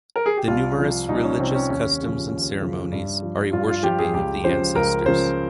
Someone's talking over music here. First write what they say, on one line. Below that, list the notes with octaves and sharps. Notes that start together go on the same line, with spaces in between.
The numerous religious customs and ceremonies are a worshiping of the ancestors.
A#4
G#4
G4
C2 F4
C3 F3
C2 D#4
C#4
C3 F3 C4
C#4
D#2 C#4
C#3 F3
D#2
C#3 F3
G2
F3
G2 F4
F4
F3 G4
G#4
C#2 G4
C#3 F3 C5
C#2 A#4
C#3 F3 C5